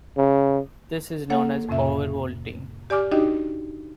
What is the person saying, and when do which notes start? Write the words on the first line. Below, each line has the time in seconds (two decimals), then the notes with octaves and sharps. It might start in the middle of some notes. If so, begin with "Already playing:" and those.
This is known as overvolting.
0.17 C#3
1.30 A#3 A4 C#5 F#5
1.69 F2 A2 C3 C#4 E5
2.90 G4 D5 G#5 D6 F6
3.12 D4 D#4 F#4 G4 D#5 G5